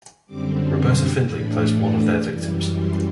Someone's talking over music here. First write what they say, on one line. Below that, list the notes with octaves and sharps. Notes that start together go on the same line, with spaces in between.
Roberta Findlay plays one of their victims.
F#2 D3 G3 C4 D6
C6
A2 E3 A3 D4 B5
F#5
F#2 E3 G3 D5
C6